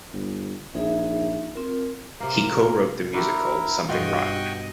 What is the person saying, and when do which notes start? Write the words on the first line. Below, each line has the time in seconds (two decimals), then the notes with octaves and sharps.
He co-wrote the musical Something Rotten!
0.13 G1
0.75 A#1 D#4 G#4 E5
1.55 C4 F4 A#4
2.20 C3 A#3 A#4
3.14 D4 E4 F#4 G4 A#4
3.89 G2 B2 F4 D#5 F#5 G5 C#6